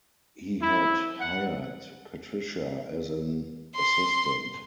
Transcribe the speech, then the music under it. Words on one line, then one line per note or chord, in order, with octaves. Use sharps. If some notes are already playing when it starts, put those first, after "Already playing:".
He had hired Patricia as an assistant.
E4
F#5
C6